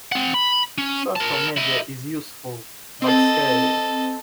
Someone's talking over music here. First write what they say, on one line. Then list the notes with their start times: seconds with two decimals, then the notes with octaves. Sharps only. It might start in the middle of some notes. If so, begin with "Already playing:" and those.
Social media is useful, but scary.
0.12 C4 F#5
0.34 B5
0.78 C#4
1.16 A#4 A5
1.57 E4 D#5
3.02 C4 A4 D#5